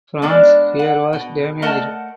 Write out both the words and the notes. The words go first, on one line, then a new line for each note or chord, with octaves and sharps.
France here was damaged.
G#3 B3 D4 A#4
F#5
B2
A3 A#4 D#5 F#5 A5